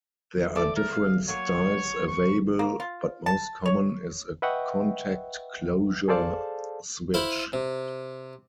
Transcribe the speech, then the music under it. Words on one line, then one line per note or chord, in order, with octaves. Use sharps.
There are different styles available but most common is a contact closure switch.
A3 A4 D5 D6
A#4
F5
F#3 A#3 C#5
C#6
A#3
F4
A5
C#5
B4 D#5 E5 F#5 G5 C#6
G#4 A4 C5 D5 F5 A5
E4 C5 F5 B5
C3